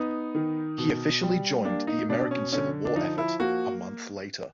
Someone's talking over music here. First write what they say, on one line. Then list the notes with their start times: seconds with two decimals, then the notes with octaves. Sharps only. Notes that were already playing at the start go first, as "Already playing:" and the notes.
He officially joined the American Civil War effort a month later.
Already playing: B3 D#4
0.35 D#3
0.78 B2
1.22 G3
1.65 A#3 D4
1.87 D#4
2.09 B2 D4
2.31 C#4
2.52 D3 C#4
2.85 D4
2.96 F3 D#4
3.18 E4
3.40 A#3 F#4